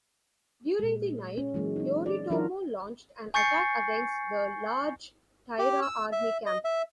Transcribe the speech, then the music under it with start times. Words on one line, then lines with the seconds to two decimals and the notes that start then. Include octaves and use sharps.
During the night, Yoritomo launched an attack against the large Taira army camp.
0.79 A#2 G#3
1.37 C#4
1.54 E3 F#3 G#3 A#3
1.76 C4 D#4
2.06 D5
2.30 E3 F#3 D4 F4 F#4 A#4
3.34 G#5 C#6 G6 A6 C7 C#7
5.59 G4
5.82 E6
6.12 E5
6.46 D#5
6.65 E5